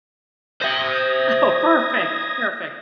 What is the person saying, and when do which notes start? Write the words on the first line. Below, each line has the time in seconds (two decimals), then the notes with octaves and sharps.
Oh, perfect, perfect.
0.62 C5 E5 D#6 G#6 A#6